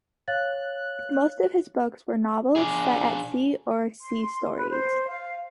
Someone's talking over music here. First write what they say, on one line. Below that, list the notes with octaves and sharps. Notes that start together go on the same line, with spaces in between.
Most of his books were novels set at sea, or sea stories.
C#5 F5 F#6 A6
D4 G#4
C6
B4
C5
F5